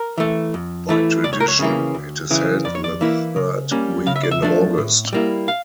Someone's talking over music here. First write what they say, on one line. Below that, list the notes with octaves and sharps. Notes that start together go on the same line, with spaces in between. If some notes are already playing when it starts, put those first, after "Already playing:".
By tradition it is held the third week in August.
Already playing: A#4
E3 A3
F2
E3 A3 E4
C#2 D5
C#5
A#4
C#5
C#3 E3 A#3
D2
C#3 E3
F2 D5
C#5
D5
E3 A#3 E4
C#3
G3 A#3 C#4
C#3 F5
E5
D5
E5
F3 A3 D4
A2
G3 A#3 E4
F5